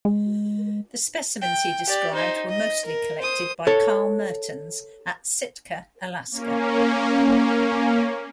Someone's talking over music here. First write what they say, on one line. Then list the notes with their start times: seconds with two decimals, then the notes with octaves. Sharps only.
The specimens he described were mostly collected by Carl Mertens at Sitka, Alaska.
0.05 G#3
1.42 G5
1.87 G4 D5
2.15 D#4 C5
2.49 D#5
2.85 A#4
3.21 C5 D#6
3.67 A4 C#5
6.31 A#3 C#4